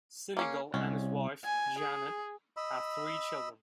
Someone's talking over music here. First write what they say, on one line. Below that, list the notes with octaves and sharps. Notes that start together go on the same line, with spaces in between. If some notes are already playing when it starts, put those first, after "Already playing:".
Sinegal and his wife, Janet, have three children.
A#3 C#4 G#4
C2 G#3 C#4
G#5
G#4
D#5 B5 E6